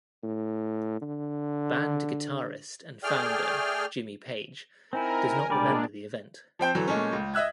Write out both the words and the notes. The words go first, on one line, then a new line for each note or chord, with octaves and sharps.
Band guitarist and founder Jimmy Page does not remember the event.
A2
D3
A3 G#4 D5 G5 F6
C4 D#4 E4 A#4 G#5
A#2 G3 G#3 D4 A#4 D5
F3 C4 G5 G6
D3 E3 F#3
A#2 G#3 A3 C#4
C#2
D#5 E5 E6 F#6 G#6